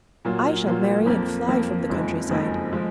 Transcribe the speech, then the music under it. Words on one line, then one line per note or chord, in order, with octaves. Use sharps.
I shall marry and fly from the country-side.
A#2 F#3 A#3 F4
A#2 F#3 A#3 F4
F2 F3 A#3
F2 F3 A#3
F#1 F2 F3 G#3 D#4
F#1 F2 F3 G#3 D#4
F3 G#3